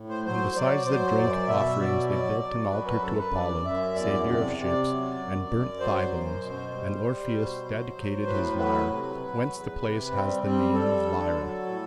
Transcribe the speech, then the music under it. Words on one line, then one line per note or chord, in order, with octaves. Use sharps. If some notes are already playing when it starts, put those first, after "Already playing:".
And besides the drink offerings they built an altar to Apollo, saviour of ships, and burnt thigh bones; and Orpheus dedicated his lyre; whence the place has the name of Lyra.
Already playing: A2
C5
F#3 C5
F#3 D5
F#3 C5
F#2 D5
B2 E5
F#3 D5
F#3 D5
F#3
F#2 B4
B4
F#2 A4
B4
F#2 D5
F#2 E5
E2 D5
C3 D5
C3 D5
F#3
F#2
F#2
F#3 C5
F#2
B2
G3
G3
B2
F#3
F#3
A2 B4
F#3 B4
C3
F#3
E2
C3
G3 C4
G3 C4
G3 A4
D3
F#3
A2